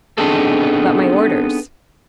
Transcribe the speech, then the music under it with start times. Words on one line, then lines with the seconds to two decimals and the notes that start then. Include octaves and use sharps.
"But my orders."
0.18 B3 C4 D4 D#4 G#4 A4